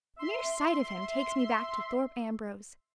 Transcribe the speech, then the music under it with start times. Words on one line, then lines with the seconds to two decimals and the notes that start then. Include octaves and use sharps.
The mere sight of him takes me back to Thorpe Ambrose.
0.16 E5 C6